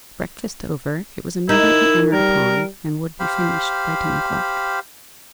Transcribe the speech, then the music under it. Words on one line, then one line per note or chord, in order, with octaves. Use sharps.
Breakfast over, it was immediately entered upon, and would be finished by ten o'clock.
D#4 E4 A#4
G3 A#4
G4 C5 F5 B5